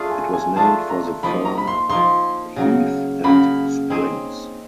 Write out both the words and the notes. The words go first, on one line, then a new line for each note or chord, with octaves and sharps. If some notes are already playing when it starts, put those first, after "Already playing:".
It was named for the firm Heath and Springs.
Already playing: A3 D4 F4 G#4
G#5
G#5
A3 D4 F4 G#4 A5
A#5
F3 A#3 D#4 B5
A#5
B5
C6
F3 A#3 D#4 C6
C#3 F#3 A#3
C#3 F#3 A#3 B5
C4 D#4 G#4 C#5